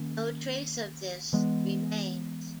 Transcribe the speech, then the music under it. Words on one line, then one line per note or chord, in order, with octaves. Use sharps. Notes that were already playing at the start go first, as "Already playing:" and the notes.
No trace of this remains.
Already playing: D#3 A#3 C#4
E3 G#3 B3